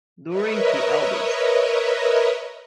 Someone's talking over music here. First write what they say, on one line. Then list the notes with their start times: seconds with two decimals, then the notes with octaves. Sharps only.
During the Elvis!
0.27 A#4 B4 C#5 D#5 E5